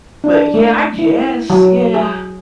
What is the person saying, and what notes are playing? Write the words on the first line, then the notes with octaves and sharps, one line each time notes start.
But, yeah, I guess, yeah,
D4
A3
E4
F#3
G#4